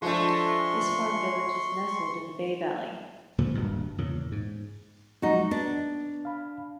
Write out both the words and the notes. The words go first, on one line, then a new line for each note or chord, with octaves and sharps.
This farm village is nestled in the Bey valley.
F3 G#3 A3 D4 C6 C#6
C#2 A#2 D3 F3
D#1 G2 B2
E2 A#2 C#3
G#2
F3 F#3 G#3 D#4 F#4
B3 D4
F5 B5